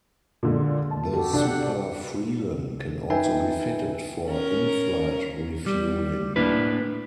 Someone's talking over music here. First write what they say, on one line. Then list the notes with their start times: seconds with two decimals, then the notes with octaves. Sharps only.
The Super Frelon can also be fitted for inflight refueling.
0.43 A#2 D3 G#3
0.91 A5
1.13 F#4 G4 A4
1.34 C3 D4 F#5
3.10 D#4 B4 E5 G5 G#5
4.28 C#4 A#4
5.66 G3
6.36 A2 A#3 D4 E4 B4